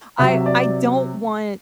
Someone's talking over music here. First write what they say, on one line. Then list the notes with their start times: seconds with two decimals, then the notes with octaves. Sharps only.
I I don't want
0.19 C3 F#3 E5
0.46 D5